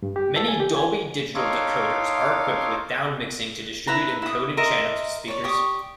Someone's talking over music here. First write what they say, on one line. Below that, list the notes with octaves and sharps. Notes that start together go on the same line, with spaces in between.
Many Dolby Digital decoders are equipped with downmixing to distribute encoded channels to speakers.
G2
G4
A4
G#5
G4
G#5
D#4 A4 C#5 F5 C6 D6
E4 B4 A#5
E4 D#6
A#4 D#5 E5 C6
C#5 D5
G4 C#6 D#6